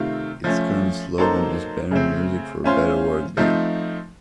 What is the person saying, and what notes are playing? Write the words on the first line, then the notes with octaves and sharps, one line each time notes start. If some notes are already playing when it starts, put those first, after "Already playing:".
Its current slogan is Better Music For a Better Workday.
Already playing: C3 D#3 A3 C4 F4
F3 A3 C#4
F#3 A#3 D#4 A4 C5
C#3 A3 C4
A3 C#4 F4 C5
F3 A3 C4 D#4